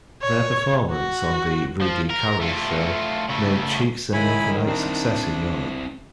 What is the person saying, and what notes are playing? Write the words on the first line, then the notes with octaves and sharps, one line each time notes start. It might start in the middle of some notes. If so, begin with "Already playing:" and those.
Their performance on "The Rudi Carrell Show" made Cheeks an overnight success in Europe.
C#5
F#4
F3
A#4
A3 F4
C#3 A3
D#3 G#3 E4 C#5 G#5 B5
C4 D4 E4